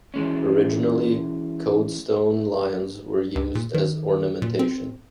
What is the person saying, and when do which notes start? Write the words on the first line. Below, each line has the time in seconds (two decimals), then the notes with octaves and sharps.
Originally, Coade-stone lions were used as ornamentation.
0.14 E3 G#3 C#4
3.35 C#2
3.55 A#2
3.74 D#3
4.42 A#2
4.59 C4